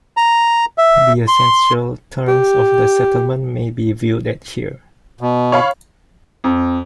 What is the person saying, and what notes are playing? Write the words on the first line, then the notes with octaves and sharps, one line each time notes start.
The essential terms of the settlement may be viewed at here.
A#5
E5
C6
G4
B2
C#5 F5 B5
F2